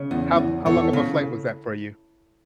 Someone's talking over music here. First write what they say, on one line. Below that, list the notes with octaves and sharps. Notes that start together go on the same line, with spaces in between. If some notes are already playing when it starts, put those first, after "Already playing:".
How how long of a flight was that for you?
Already playing: C#3
E2
E2
E2 A4 C#5
C#3